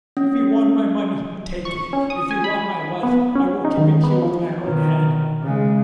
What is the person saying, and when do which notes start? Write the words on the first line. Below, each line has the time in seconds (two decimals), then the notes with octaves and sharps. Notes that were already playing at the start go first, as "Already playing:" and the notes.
If you want my money, take it; if you want my life, I will give it to you with my own hand.
0.17 C#4
1.65 C#6
1.93 C#4
2.10 D#6
2.31 G#5
2.44 B5
3.03 B3
3.35 C#4
3.65 D#4
3.78 D#3
4.04 B3
4.22 F3
4.61 B2 D#3
5.42 C#3 G#3